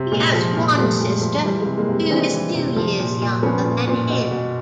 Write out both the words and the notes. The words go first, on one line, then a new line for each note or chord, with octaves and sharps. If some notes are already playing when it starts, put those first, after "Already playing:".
He has one sister, who is two years younger than him.
Already playing: C3
A#2 G#3
F3
A#2
F3 G3 A3
A#2
G#3
F3
G#3
E3 G3
G#3
C3
G#3 A#3
C3
E3 C4 D4
E3
C3
F3
A#2
A#2
F3 B3 C#4
A#2
A#2
B2
B2